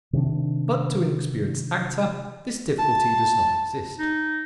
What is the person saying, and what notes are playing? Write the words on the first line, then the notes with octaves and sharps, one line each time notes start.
But to an experienced actor this difficulty does not exist.
C3 D#3 D4
A5
D#4